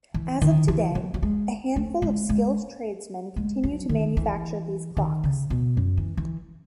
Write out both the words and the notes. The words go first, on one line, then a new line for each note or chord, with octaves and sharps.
As of today, a handful of skilled tradesmen continue to manufacture these clocks.
E3
D#3
E3
F#3
F#3
G#3
A3
G#3
G#3
G#3
F#3
D#3
E3
D#3
C#3
B2
F#2
E3
E3